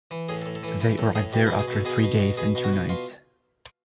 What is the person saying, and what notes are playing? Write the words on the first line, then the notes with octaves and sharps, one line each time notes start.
They arrived there after three days and two nights.
E3
A2 G#4
A4
A2
A4
E3
A4
E3
A2 A4
A2 G#4
B2 G4
E4
B2
G#4
B2 A4
B2 G#4
B2
B2
B2 G#4
B2
F#4
B2
B2 F4